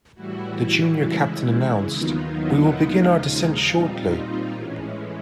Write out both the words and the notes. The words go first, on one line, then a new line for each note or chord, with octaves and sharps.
The junior captain announced, "We will begin our descent shortly".
A2 E3 G3 E4 F#4
E4
C#3 E3 G#3 E4
D#2 D#3 F#3 B3 D#4 F4
E4 F#4
D#2 C#3 F3 G#3 D#4 F4
A#2 G3 C4
D#4 F4
A2 E3 G#3 C#4